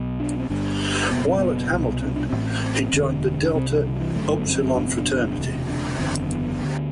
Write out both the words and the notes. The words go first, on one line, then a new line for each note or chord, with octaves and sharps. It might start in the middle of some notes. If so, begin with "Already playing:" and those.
While at Hamilton, he joined The Delta Upsilon Fraternity.
Already playing: B1 B2
D4
C4
G1 G2 D3 D4
F#1 E2 B2 B3
C4
B3
C2 B2
C4
D4
A1 A2 C4
C4
E1 D2 D3
D4
C2 C3 C4
E3
D3
F#3
E3
G1 F#2 D3 A3
B3
C4
F#1 E2 B2 D4
C4
D4
E1 D2 C3
D4
F#1 E2 D3 C4
B3
D2 D3